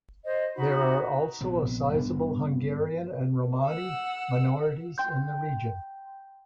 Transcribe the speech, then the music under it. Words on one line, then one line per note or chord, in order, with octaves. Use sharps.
There are also a sizable Hungarian and Romani minorities in the region.
C5 D#5
D#4 F#4 B5
A#1 C3 B3 C4
G2 B3 D4
F#5 E6
G5 C6 G6